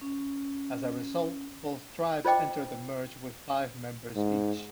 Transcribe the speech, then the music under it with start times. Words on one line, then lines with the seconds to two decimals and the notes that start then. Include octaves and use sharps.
As a result, both tribes entered the merge with five members each.
0.01 C#4
2.25 F4 C5 D#5 G5 D6
4.16 G#2